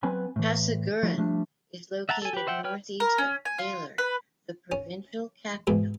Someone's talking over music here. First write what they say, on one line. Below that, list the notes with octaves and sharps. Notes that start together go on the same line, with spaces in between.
Casiguran is located north-east of Baler, the provincial capital.
F#3 B3 C4 B4 G#5 B5
A2 E3
F3 A3 E4 F#4
F3 G3 A3 D4
E5 F#5 A5 A#5
A4 G#5
G4 B4
C5 E5 F#5 G5
B4 C#5 G5 F6
A#4
C#4
G#5
F4
B4
C#4
G#2 B2 E3